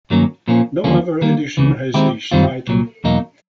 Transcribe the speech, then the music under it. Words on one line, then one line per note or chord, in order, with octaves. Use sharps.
No other edition has this title.
G2 D#3 F#3 A#3 C#4
A#2 F3 A#3 C#4
D#2 D3 F3 A#3 C#4
D#3 G3 A#3
C#2 C#3 E3
D#3 G#3 C4 E4 G4
F#2 D#3 G3 C4 F4
C2 A#2 F#3
E2 B2 F#3 A#3 D#4